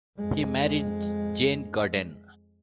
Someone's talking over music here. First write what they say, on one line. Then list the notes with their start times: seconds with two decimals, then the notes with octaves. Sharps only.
He married Jane Godden.
0.18 F2 G#3